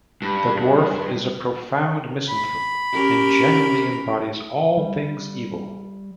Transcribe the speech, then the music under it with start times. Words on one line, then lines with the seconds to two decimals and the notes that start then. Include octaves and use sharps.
The dwarf is a profound misanthrope and generally embodies all things evil.
0.22 G2
2.29 B5
2.93 C#4 G4 A#4
4.77 G3